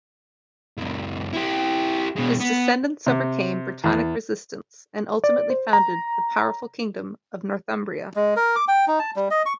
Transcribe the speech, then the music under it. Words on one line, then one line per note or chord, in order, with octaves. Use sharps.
His descendants overcame Brittonic resistance and ultimately founded the powerful kingdom of Northumbria.
C#2 F#2
E4 G4
B2 G#3
B3
C3
E2
D5
C5
A#5
G#3
A#4
D6
G5
D#4
A5
G3
D#5
C#6